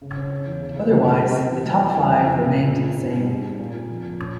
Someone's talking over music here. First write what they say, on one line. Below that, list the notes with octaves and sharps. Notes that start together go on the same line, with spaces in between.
Otherwise, the top five remained the same.
C#3
C#4
C#4
E2
C#3
C#3
C3
C3
A#3
C3
E3
G3
E3
E2
F2
E3
G#3
A#2
G#3
C4
G#2
G3
G#2
C4
A#2
A#2
F3
A#2
C#4